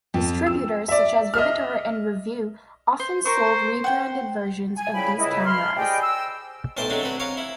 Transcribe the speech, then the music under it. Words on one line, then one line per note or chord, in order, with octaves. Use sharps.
Distributors such as Vivitar and Revue often sold rebranded versions of these cameras.
F2
E6
D5 E5
D#5 E5 F6
C5
A#4 C5 C#6
F#5 G5
G#5
C#3 F3 G3 E4 G5 B5
C#2 C#3 E4 D#5
B5 C6 F6
G4 G#4 C5 D5 D#5 G5
E6
B1 A2 C5 A5 C6 D6
F#3 G#3 A3 C4 D4
F#3 C4 B4
C#5 F5 A#5 D6
E4